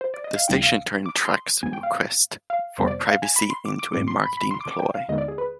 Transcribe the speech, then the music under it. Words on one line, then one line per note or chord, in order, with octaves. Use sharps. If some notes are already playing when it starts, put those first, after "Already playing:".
The station turned Tracht's request for privacy into a marketing ploy.
C5
D5
D#5
F5
D2 C3 G3 B3 D#4 G5
F5
D6
D#6
C6
G2 F3 G#3 B3 G#5
G5
F5
F5
F2 C3 G3 B3 C5
D5
F5
G#5
B5
C6
D6
D6
G#2 G3 C4 D6
C6
B5
B5
C6
D6
D6
G5
F5
D#2 D3 G#3 B3 D#4 D#5
D5
G#4
B4